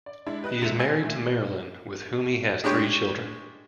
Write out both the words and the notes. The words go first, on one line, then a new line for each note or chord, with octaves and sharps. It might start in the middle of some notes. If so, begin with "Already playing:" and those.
He is married to Marilyn, with whom he has three children.
D5
G#3 D4 E4
G4 B4 D#5 F#6
E2 C3 G#3 E5 C#7 F7
G#5 E6 G#6 A#6
A#2 A3
G#3 D4 G4 C#5